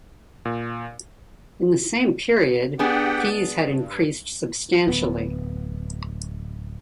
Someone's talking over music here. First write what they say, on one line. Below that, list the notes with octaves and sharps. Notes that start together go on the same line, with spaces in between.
In the same period, fees had increased substantially.
A#2
B3 D4 G4 G#4 F#5 G5
G2
D1 B3